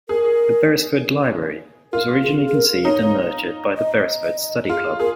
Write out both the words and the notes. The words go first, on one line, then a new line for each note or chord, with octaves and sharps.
The Beresford Library was originally conceived and nurtured by the Beresford Study Club.
G#4 A#4
F4 A#4
G#4
G#4
A#4
D#4 C#5
D#5
D#5
F4 G#4
G#4 A#4